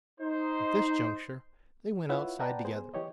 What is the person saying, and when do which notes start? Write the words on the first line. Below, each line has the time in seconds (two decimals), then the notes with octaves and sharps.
At this juncture they went outside together.
0.20 D#4 C5
2.09 E4 F4 B4 C#5 E5 F#5
2.39 B4 D5 F#5 G5 A5 A#5
2.65 B3 G#4 C5
2.94 E3 G4 C#5 D#5